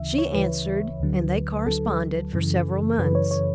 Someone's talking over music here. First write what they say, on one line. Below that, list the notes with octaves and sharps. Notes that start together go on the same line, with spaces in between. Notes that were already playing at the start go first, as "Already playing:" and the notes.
She answered and they corresponded for several months.
Already playing: D2 C#3 E3 E5
C#5
D2 C#3 E3 B4
D2 D3 F#3
D2 D3 F#3 A4
F#2 C#3 E3
F#2 C#3 E3 B4
C#5
C#5